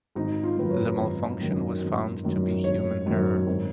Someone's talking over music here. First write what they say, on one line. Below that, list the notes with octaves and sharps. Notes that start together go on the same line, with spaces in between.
The malfunction was found to be human error.
G#1 D#4
F4
F#2 D#3 A#3 B4
C#5
G#1
F#2 D#3 A#3
G#1
F#2 D#3 A#3
G#1 C#5
F#2 D#3 A#3
G#1